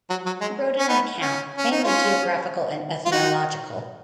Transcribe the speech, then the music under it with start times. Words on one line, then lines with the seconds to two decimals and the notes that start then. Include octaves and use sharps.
He wrote an account, mainly geographical and ethnological.
0.10 F#3
0.26 F#3
0.41 G#3
0.79 C#4
0.88 B3 D#4
1.21 C#4
1.58 C#4
1.71 D#4
1.84 C#4 F4
3.05 F4
3.12 D#4 F#4